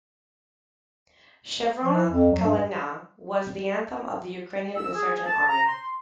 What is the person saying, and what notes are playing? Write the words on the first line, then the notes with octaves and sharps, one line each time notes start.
"Chervona Kalyna" was the anthem of the Ukrainian Insurgent Army.
F3
F2
F#3
G2
E6
G#4
A5
A#5
C6